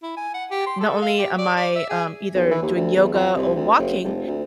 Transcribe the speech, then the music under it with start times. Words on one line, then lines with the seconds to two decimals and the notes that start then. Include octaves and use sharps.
not only am I, um, either doing yoga, or walking
0.03 E4
0.17 G#5
0.34 F#5
0.51 G4
0.66 C6
0.81 A4
1.02 F5
1.19 G4
1.38 D5
1.56 D5
1.75 E5
1.90 G#4
2.34 B1
2.51 E3
2.62 D#2
2.75 D2
2.96 E2
3.13 F2
3.35 C2
3.56 D2
3.78 F#1
4.04 F1
4.27 D2